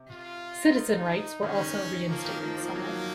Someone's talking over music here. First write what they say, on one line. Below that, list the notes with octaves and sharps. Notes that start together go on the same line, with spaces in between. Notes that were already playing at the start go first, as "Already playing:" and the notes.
Citizen rights were also reinstated somewhat.
Already playing: C3
F4
D#4
D#3 C#4
F3 A#3
D#3
F3 A#3
F3
F#3 A#3